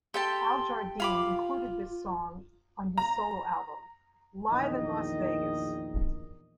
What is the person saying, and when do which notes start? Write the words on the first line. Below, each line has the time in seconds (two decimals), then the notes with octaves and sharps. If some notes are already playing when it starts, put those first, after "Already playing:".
Al Jardine included this song on his solo album "Live in Las Vegas".
0.14 G4 A4 G5 A5 C6
1.00 F4 F5 B5 D6
2.98 A#5
4.48 A#1 E2 D#3 D#4 D#5